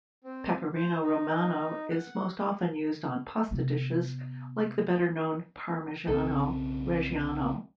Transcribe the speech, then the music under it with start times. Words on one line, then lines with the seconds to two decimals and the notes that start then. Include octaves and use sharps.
Pecorino Romano is most often used on pasta dishes, like the better-known Parmigiano Reggiano.
0.24 C4
0.75 C5
1.02 D#4
1.90 F#5
3.51 C3 B3
6.07 B1 C#3 C4 A4